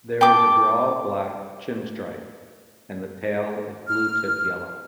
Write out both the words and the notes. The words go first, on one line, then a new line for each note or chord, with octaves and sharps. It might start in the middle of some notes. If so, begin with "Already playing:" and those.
There is a broad black chin stripe and the tail is blue tipped yellow.
G5 A5 D6
F6